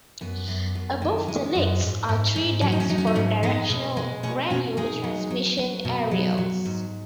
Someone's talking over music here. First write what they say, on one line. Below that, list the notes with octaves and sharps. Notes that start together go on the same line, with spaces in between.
Above the legs are three decks for directional radio transmission aerials.
F#2 B3
F#2
F#2
D#3
G#3
F#2
G#2
G#2
G#2
F#3 C#4
D#4
C#4
F#3 D#4
C#4
D#4
G#2 C#4
G#3 B3 D#4
B2
G#3
B2 G#4 C#5
B2 C#4 F#4
G#3 D#4 G#4
F#3
F#3
F#3
B2
F#3
F#3
G#2